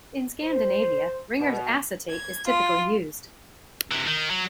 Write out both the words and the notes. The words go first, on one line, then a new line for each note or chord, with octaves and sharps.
In Scandinavia Ringer's acetate is typically used.
C5
B2
G#6
F4
C3 E3
D#3
F#3